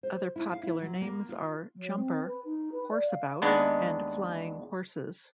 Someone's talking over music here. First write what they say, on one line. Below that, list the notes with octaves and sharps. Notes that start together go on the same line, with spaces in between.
Other popular names are jumper, horseabout and flying horses.
C5
E4
F5
E4
F#3
A#3
F4
F#3
C4
B4
D#4
B4
D5
F5
D#2 G#3 B3 D4 D#4